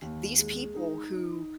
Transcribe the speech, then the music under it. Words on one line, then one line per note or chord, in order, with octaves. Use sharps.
these people who
D#2
G#3
D#4
D#4